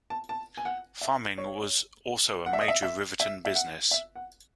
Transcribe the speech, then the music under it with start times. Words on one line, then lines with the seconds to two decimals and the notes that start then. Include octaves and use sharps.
Farming was also a major Riverton business.
0.10 A5
0.29 A5
0.57 G#5
0.65 F#5
1.01 E5
1.38 C#5
2.46 F#5
2.53 E5
2.61 D#5
2.68 E5
2.83 E5
3.20 E5
3.45 E5
3.55 F#5
3.91 E5
4.16 F#5